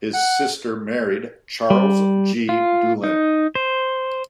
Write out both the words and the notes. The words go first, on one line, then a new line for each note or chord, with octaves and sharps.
His sister married Charles G. Dulin.
F#5
G3
F4
D#4
C5